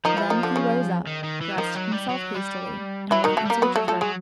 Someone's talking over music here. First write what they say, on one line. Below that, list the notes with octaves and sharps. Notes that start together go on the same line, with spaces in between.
Then he rose up, dressed himself hastily, and went in search of her.
D#3 F3 D#4
E3 E4
D#3 D#4
D3 D4
C#3 C#4
D#3
D#3
E3
D#3 F3 D#4
F#3
G3
F#3
G3
E3 F#3 E4
D#3 F#3 D#4
A3 A4
G3 A#3 A#4
F#3 B3 B4
A3 A4
F3 A3 A4
F#3 G#3 G#4